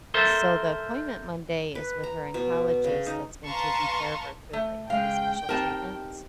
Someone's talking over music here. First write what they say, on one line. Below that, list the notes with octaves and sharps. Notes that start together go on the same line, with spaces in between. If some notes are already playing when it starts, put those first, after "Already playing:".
so the appointment Monday is with her oncologist that's been taking care of her through, like, all these special treatments.
A4 A#4 C5 E5 A5
B4
A#5
B2
C#3
D#4
B4 F5 A5 A#5 C6 C#6
A3
C#3 G#3 F5 G5
C4 D#4 G4 A#4 A5